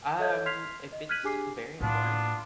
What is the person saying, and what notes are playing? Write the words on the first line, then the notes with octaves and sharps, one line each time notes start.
Um, if it's very important,
A4 C#5 D#5 E5 G6 G#6
C6 F6 G#6 B6 C7 F7
D#5
F6 F#6 G#6 B6 D#7 F#7
D4 G4 G#4 G#5 D6 C7
A2 A#3 B3 D4 F4